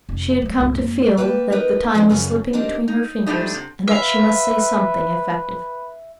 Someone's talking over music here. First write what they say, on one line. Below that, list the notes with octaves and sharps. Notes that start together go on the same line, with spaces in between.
She had come to feel that the time was slipping between her fingers and that she must say something effective.
F1
F#3 A3
C#2 F#2
F#2 A#3
A#3 B4 E5 F5 G5 A5
B3 D#4 A#4 B4
F3 G#3 B3 C4 D4
F#2 C#3 G#3 C#4 G#4 A4
C4 D4 D#4 G4 A#4
D#4
G#2 G3 A3 D4 D#4
C3
B4 E5 F5